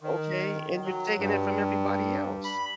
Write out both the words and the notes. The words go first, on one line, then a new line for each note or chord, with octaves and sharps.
Okay, and you're taking it from everybody else.
D#3
F#3
G2
B5